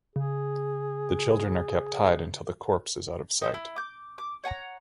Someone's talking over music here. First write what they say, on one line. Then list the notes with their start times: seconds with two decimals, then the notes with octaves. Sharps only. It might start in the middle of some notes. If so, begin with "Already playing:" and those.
The children are kept tied until the corpse is out of sight.
0.16 C#3 G#4
3.41 D#4 G4 C5
3.54 E4
3.76 D6 G6
4.18 D6
4.44 C#5 F#5 G#5 A#5